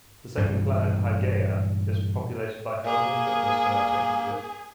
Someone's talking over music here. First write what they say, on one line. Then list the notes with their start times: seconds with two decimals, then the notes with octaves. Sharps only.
The second planet, Hygeia, is populated by health and fitness fanatic nudists.
0.37 G2 A#2 E3
2.85 A#3 G#4